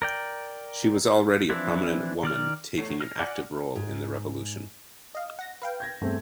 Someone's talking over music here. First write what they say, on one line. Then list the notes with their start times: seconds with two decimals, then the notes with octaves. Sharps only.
She was already a prominent woman taking an active role in the revolution.
0.02 A#4 D5 G5
1.50 E3 F3 C4 D4 E4
2.23 D#3 D5 F6
2.78 E2 A3 C#5 C7
3.00 F6 A#6
3.19 D5 F#5 G#5 D6
3.76 G#2
5.15 D#5 F5
5.39 F#5 A#6
5.62 B4 F5 G5
5.80 G6 G#6 A#6
6.01 E2 G2 A3 C4